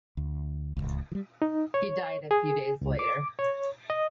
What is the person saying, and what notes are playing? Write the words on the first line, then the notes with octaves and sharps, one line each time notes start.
He died a few days later.
D2
D1 G1 C#2
E3 G3
D#4
C#5
G#4
C#2
D6
C#5
D#5